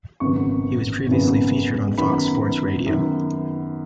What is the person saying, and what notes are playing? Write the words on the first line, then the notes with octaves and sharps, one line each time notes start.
He was previously featured on Fox Sports Radio.
G#1 F#2 C#3 B3 C#6
G#1 F#2 C#3 B3
F#2 D#3 B3 B5
F#2 D#3 B3